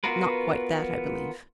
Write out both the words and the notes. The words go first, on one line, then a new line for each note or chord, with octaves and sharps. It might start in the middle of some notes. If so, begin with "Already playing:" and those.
"Not quite that, I believe."
B3 F4 F#4 A#4 B4